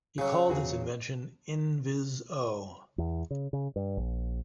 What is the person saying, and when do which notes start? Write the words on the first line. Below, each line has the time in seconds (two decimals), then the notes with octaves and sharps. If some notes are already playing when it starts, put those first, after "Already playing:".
He called his invention "N-vis-o".
0.18 C#3 F#3 G#4
0.49 E2 F#4 G#4
2.98 E2
3.31 C#3
3.53 C#3
3.76 G2
3.97 A#1